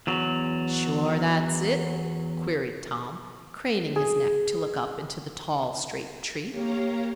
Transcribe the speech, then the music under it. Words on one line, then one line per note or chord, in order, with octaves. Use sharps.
"Sure that's it?" queried Tom, craning his neck to look up into the tall, straight tree.
E2 F#3
G#4
A#3 G4 C#5 F5 A#5